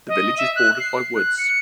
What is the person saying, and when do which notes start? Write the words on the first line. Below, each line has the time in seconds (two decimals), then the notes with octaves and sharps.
The village is bordered by woods.
0.08 D#5
0.37 E5
0.55 F#6
0.79 C7
1.15 F#6
1.38 C#7